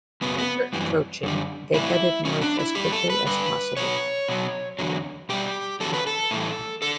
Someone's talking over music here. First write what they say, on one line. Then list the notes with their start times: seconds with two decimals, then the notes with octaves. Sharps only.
With winter approaching, they headed north as quickly as possible.
0.21 F#2 C#3 F#3 B3
0.38 B3
0.73 F#2 E3 G3
1.23 F#2 D3 G3
1.74 A2 E3 G3 E4
2.25 B2 F#3 C#4
2.42 D4
2.59 E4
2.75 G2 E3 G3 G4
2.92 A4
3.10 B4
3.26 G2 D3 G3 B4
3.77 B2 F#3 C#5
4.28 B2 F#3
4.79 E2 D3 F#3
5.29 B2 G3 G4
5.80 E2 D3 F#3 A4
5.94 B4
6.07 A4
6.31 A2 E3 G3
6.82 D3 A4